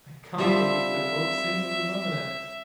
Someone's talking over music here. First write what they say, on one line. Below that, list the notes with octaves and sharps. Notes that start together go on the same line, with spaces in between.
I can't believe they're both single and loving it.
F3 G3 C4 E5